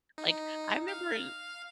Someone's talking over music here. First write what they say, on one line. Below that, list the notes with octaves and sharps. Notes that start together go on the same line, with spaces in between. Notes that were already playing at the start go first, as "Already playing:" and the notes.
like, I remember i
D#4
F5